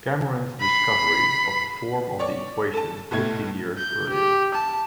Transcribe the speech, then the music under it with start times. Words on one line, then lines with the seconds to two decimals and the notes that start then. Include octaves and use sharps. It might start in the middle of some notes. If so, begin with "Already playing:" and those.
Cameron's discovery of the form of the equation fifteen years earlier.
0.61 B5 C7
2.19 C#5 D5 C#6
2.73 A4 A5
3.11 B1 A2 A3 G#6
3.78 G6
4.09 G4
4.54 A5